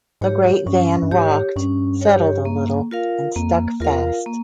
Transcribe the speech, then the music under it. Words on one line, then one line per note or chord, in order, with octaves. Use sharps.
The great van rocked, settled a little, and stuck fast.
G#2 G4 C#5
G2 C#4
G2
G#2 G4 C#5
G2 C#4
G4 C#5
A#3
F4 A#4 F5
F2 A#3
E2 F4 A#4 F5
A#3